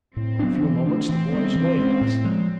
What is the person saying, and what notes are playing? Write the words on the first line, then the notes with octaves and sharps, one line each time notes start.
For a few moments the boys lay thus.
A2 C4
F#3 B3 D4
E3
A3 D4
E3 C4
G3 B3
E3
G#3 C#4
A2
F3 G#3